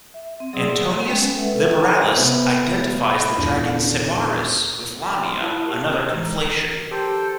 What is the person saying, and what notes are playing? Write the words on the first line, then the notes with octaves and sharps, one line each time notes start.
Antoninus Liberalis identifies the dragon Sybaris with Lamia, another conflation.
E5
C4
F#3 G#4 D5 C6 D#6 E6
F#5
G#3 C#4 G5
A4 B4 E5 F#5
C3 B3 E5
B5
D#1 E2 D4 D#7 G7
C6 D#6
E4 C5 A5 B5
G4 G#4 A#4
E3 A#4
G4 A4 C5 G5